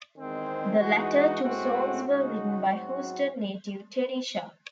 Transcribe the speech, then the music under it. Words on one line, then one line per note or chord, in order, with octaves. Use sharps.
The latter two songs were written by Houston native Terri Sharp.
E2 D#3 G#3 C4
E3 G#3 D#4 F#4
A2 G#3 C4 F#4
C#3 G#3 D#4 F#4
G#2 F#3 C4 F#4